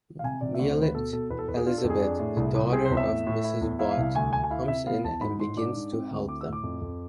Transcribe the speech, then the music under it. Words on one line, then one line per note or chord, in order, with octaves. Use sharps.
Violet Elizabeth, the daughter of Mrs. Bott, comes in and begins to "help" them.
F5
C3 G#5
C3 D5
E5
D2 D5
C5
D2
B4
B2 A4
B2 A4
E2 B4
A4
E2 B4
G#4
D4 F4
A4
F2
G#4
D4
A2
C2
C2
C4 G#4
C5
E2
E5
A2
A2
E4
E2
E4 F5
F5
C2
F5
D2 G#5
D2 G#5
G#5
E4 F5
C3 E5
B3 F5
E2 A5
G#2 B5
G#2 C6
D4 D6
G#2
C4
D2
E4 D6
E6
A2
D6
F2
F2